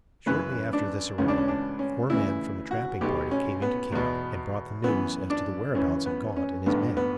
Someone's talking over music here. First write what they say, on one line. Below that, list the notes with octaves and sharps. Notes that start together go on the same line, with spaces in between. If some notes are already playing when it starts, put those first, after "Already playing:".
Shortly after this arrival, four men from the trapping party came into camp and brought the news as to the whereabouts of Gaunt and his men.
F#2 C#3 E3 B4
D4
C#2 C#3 E3 C#4
D4
C#4
D4
C#4
D2 C#3 E3 E4
F#4
B1 B2 G4
C#4
B3
E2 B2
F#2 E3 B3
D4
F#2 C#3 E3 C#4
B3
C#4
A1 G2 D3 B3
B3